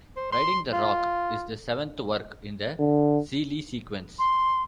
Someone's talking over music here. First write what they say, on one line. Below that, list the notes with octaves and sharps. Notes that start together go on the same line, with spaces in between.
"Riding the Rock" is the seventh work in the Xeelee Sequence.
C5
C6
F4
D3
C6